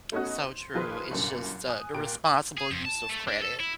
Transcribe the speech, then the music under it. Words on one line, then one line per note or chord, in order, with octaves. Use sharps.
So true, it's just, uh, the responsible use of credit,
A3 B3 C#4 D#4 F#4
C5
D#3 F3 F4 G#4 B4 C5
C2 F#2 A#2 D3
G#5 D#6 F#6
A#2 A#3 G4 F#6 D7
G#4
F2
A5
A3
D4
A4
E4